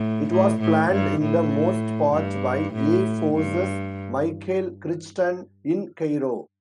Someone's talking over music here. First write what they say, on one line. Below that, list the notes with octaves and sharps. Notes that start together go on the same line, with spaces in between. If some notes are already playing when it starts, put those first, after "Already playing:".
It was planned in the most part by 'A' Force's Michael Crichton in Cairo.
Already playing: A2
A2
A2
G2
A2
G2
A2
G2